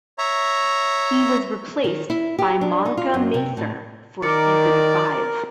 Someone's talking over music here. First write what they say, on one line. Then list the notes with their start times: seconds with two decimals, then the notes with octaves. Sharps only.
He was replaced by Monica Macer for season five.
0.18 C#5 E5 A#5
1.84 D#3
2.10 E4
2.39 G4
2.61 D4
2.85 D#4
2.97 F4
3.14 F#2
3.34 C3
3.57 A2
4.23 D#3 A#4 D5 A#5 D6 C#7